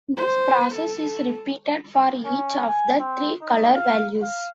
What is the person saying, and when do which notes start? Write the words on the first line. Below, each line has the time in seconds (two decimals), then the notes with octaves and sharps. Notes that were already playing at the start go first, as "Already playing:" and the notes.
This process is repeated for each of the three color values.
0.17 C5
0.75 A4
2.25 C#4
2.67 G#5
3.00 C4
3.41 D#4
3.75 F5
4.22 F5